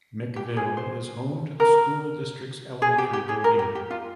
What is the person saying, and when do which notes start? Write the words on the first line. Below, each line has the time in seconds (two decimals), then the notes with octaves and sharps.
McVille is home to the school district's elementary building.
0.36 G4
0.57 G#4
0.77 C5
1.60 A#4
2.82 G#4
2.98 G4
3.13 G4
3.29 G#4
3.44 A#4
3.59 G4
3.75 G4
3.90 F4